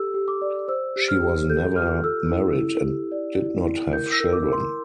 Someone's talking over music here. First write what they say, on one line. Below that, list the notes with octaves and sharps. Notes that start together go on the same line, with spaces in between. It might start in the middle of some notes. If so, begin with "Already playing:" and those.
She was never married and did not have children.
Already playing: G4 A4 E6
G4
D6
D5
C5 E6
G4
F6
G4
A4 G6
F4 F6
A4 E6
E4
E4
G4
D5
E4
E4
A#4 G6
E6
A#4
D6
A#4
C6